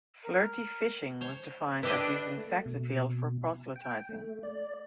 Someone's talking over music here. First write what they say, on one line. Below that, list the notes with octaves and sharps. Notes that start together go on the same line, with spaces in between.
Flirty Fishing was defined as using sex appeal for proselytizing.
A#4
C5 C#5
D4 E4 G4 B4 D#5 D6
A3
B2
G5
A3
D5